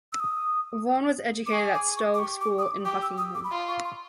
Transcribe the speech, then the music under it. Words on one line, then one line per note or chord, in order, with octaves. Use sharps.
Vaughn was educated at Stowe School in Buckingham.
E6
D#6
D6
G#4 C#6
D6
C#6
D6
G4 C#6
D6
D#6
D6
G4 D6
E6
D#6
D6
B5
F4 C6
C#6
C6